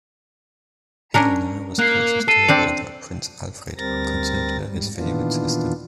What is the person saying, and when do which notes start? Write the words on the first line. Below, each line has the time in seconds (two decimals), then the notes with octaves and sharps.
Helena was closest to her brother, Prince Alfred, who considered her his favourite sister.
1.14 C#4 D4 A#4
1.79 A#3 F#6 C7
2.28 A4 C7 D#7
2.48 C4 D4 D5
3.77 D2 G3 C4 A#4 A6 A#6
4.61 G#2 G3
4.95 A#2 D#3 E3 B3 D4 F4